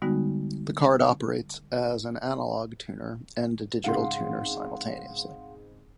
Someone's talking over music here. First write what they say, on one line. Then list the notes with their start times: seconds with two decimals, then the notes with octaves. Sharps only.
The card operates as an analog tuner and a digital tuner simultaneously.
0.02 D3 G3 G#3 B3 D#4 F#4
3.84 G#2 C#3 C4 F5 F#5 C6